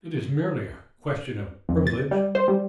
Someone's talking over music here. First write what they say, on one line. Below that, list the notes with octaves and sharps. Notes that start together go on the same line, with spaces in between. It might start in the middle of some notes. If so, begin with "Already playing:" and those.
"It is merely a question of privilege."
F2
A6
G3
C5
G3